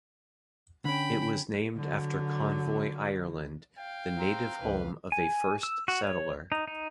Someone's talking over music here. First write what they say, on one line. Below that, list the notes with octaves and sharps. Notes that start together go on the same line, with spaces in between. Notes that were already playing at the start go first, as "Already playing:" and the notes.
It was named after Convoy, Ireland, the native home of a first settler.
D3 C#4 G5 B5
D3 F#3
F5 G5
C4 A#5
C#2 C#3 E3 B4
G#5
E6
F#4
C#5
D#4
D#4